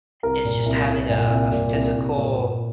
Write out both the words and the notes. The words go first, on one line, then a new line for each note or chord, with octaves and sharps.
is just having a a physical
C2 A#4
A#2
C2
C2
A#2
C2
A#2
C2
C2
A#2
A#2